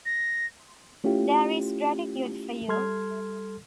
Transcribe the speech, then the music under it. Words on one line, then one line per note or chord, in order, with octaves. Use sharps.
There's gratitude for you!
A#6
A3 C#4 E4 F4 G4
G3 A4 C6 F6 G#6